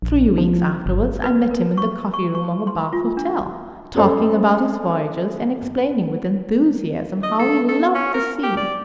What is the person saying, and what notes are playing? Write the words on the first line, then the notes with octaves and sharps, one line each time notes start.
Three weeks afterwards, I met him in the coffee-room of a Bath hotel, talking about his voyages, and explaining, with enthusiasm, how he loved the sea.
A#1
F3
G1
B4
A#4
C#6
C#6
C#6
C6
F4
D4
C#4 G#4 A4 C5 D#5
D#5
A4
A4
C#4
A#4
G4
D5